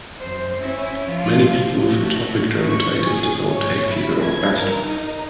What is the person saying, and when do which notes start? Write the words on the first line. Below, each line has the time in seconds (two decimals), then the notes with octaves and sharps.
Many people with atopic dermatitis develop hay fever or asthma.
0.20 F#2 C5
0.61 C#4 E4
1.09 F3 F4
1.57 F3
1.93 A3 F#4
2.64 C#6
3.06 G#4
3.49 C#5
3.90 E4
4.23 G#6
4.56 A#4
4.85 D#4